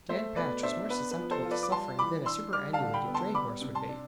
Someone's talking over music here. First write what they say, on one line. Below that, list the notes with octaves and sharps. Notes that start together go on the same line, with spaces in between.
Dan Patch was more susceptible to suffering than a superannuated dray horse would be.
A3 C5 E5
B2 B4 D5
D4 C5 E5
B3 B4
B4
F3
A4 C5
F4
B4 D5
D6
G3 A5 C6
E3 B5 D6
D4 C6 E6
G3 D6 F6
F5 A5
D3
G5 B5
B3
A5 C6
G3 B5 D6
C3
A5 C6
D4